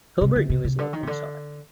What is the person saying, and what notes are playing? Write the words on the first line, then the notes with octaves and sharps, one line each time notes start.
Hilbert knew his luck when he saw it.
C3
D3
C3
C3
D3
D#3
C3
D3